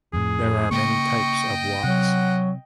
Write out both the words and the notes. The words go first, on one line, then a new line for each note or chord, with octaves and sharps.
There are many types of wats.
F2 A2 G#4
C#3 A#3 D#5 G5 C#6
C3 F#3 F#5